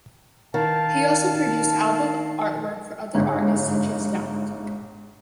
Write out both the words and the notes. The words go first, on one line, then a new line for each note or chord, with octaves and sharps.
He also produced album artwork for other artists such as Yacht.
D#3 A#4 F5 A5
G1 G#2